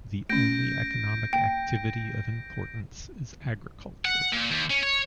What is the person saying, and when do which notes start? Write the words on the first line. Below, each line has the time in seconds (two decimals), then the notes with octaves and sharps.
The only economic activity of importance is agriculture.
0.29 A3 C#4 G6 A#6 D7
1.33 A#3 G5
4.05 F#5
4.33 A#2
4.51 D#2
4.70 C#4
4.83 C#5